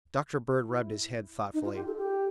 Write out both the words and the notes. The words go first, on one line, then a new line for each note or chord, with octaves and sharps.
Dr. Bird rubbed his head thoughtfully.
E4
D#4
F4
G4
A4
G4